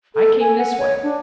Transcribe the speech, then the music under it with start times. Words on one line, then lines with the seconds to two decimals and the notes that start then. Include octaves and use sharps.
I came this way.
0.15 A4
0.41 G#5
0.58 F#5
0.78 C#5
1.03 D4